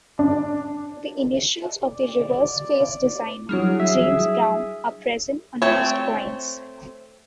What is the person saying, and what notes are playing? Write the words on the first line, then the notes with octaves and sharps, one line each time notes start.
The initials of the reverse face designer James Brown are present on most coins.
D4
D5
F#3 G3 D4 E4 G#4 F6
E5
A3 C4 C#5